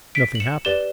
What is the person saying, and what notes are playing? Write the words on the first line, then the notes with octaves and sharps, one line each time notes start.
Nothing happened.
B6 D7
F#7
C#7 E7
G4 B4 D5 E7 G7